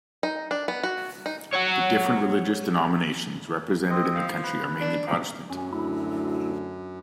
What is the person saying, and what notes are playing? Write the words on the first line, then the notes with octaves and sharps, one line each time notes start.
The different religious denominations represented in the county are mainly Protestant.
D#4
D4
B3
F#4
D#4
C#5 F#5
C4 D#5
F3
B4
D4
F3 A#4 G5
F#2 C#4
D2 E4